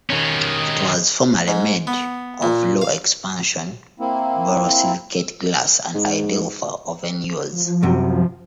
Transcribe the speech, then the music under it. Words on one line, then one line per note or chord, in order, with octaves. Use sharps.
It was formerly made of low expansion borosilicate glass and ideal for oven use.
D#3 C#4
G#2
B3
A#2
F5
A#3 C4 E4
G#2
F3
C2 F#2 C3